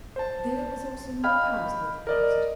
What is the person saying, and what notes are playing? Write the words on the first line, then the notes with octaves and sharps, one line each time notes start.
There was also no house near the coast.
C5 A5
D#5 F5 G5 B5 F6 G#6
A#4 D5 D#5